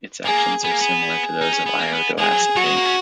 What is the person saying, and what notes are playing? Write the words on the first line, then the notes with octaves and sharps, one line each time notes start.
Its actions are similar to those of iodoacetate.
A#3 G#4
B3 G#4
A#3
B3
G#4
D#4
C#4
B3
A#3
B3
G#3 G#4
F#3
F#3 F#4
G#3
A#3
C#4